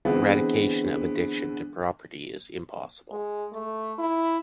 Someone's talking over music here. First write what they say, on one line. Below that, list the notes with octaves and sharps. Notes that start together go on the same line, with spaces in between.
Eradication of addiction to property is impossible.
D3 E3 G#3 B3 C4
G#3
A3
E4